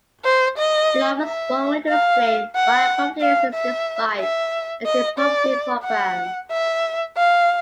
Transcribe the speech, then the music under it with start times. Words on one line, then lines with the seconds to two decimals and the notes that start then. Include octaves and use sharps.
It offers one way to explain why poverty exists despite anti-poverty programs.
0.25 C5
0.58 D#5
1.24 E5
1.89 F5
2.56 F#5
3.21 F5
3.54 E5
4.20 E5
4.86 D#5
5.18 D5
5.85 F#5
6.51 E5
7.17 F5